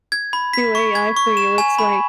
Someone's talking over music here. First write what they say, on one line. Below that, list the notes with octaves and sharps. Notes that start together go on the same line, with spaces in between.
do AI for you, it's like
G#6
B5
B6
C#6
G#6
C#6
E7
G#5
B5